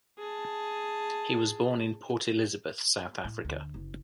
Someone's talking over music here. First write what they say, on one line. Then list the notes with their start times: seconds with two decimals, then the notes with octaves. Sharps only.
He was born in Port Elizabeth, South Africa.
0.19 G#4 A5
3.25 A2
3.45 D2
3.74 F#1